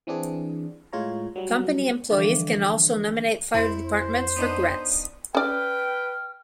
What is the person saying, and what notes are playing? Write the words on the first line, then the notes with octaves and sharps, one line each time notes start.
Company employees can also nominate fire departments for grants.
E3 C4 D4 G#4
A2 G#3 F4 C#5 A#5
F#3 G3
D3 E3 F3 G3 D4 A4
F2 E4 C5
C5
B3 D4 D#4
C#4 B4 D5 G5 F6